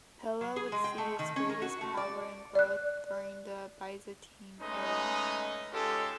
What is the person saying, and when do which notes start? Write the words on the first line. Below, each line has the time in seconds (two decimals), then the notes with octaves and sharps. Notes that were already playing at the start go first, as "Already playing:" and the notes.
Pella would see its greatest power and growth during the Byzantine era.
0.41 F#3
0.56 G#4
0.72 G#3
0.84 G5
0.98 A3
1.19 D#3
1.36 C#4
1.49 A#4
1.62 F#4
1.81 A3
1.97 D5
2.55 D5 F#6
4.61 G#3 A3 C#4 D#4 B4 D#5
5.72 G#3 C#4 F4 G4 A4